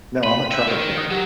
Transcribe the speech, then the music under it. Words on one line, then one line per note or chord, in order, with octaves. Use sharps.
No, I'm a trumpet player.
G5 B5 C6 D#7
E5 D#7
D#3 A#4
D#6
F#3 G4